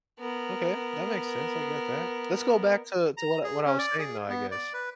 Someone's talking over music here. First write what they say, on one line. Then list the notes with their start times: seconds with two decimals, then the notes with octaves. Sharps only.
Okay, that makes sense, I get that. Let's go back to to what what I was saying, though, I guess.
0.19 B3 A#4
3.17 A#5
3.44 G#4
3.66 C#4
3.79 D5
3.99 G#4
4.29 B3
4.51 D5
4.74 B4